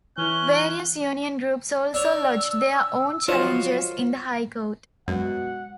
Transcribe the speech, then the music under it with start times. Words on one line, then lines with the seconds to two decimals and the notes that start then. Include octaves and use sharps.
Various union groups also lodged their own challenge in the High Court.
0.18 E3 C#4 E4 F#6 G7
1.94 D4 C#5 E6
3.28 F#3 F4 C5 C#5 D#5
5.08 F#2 B2 G#3 F#5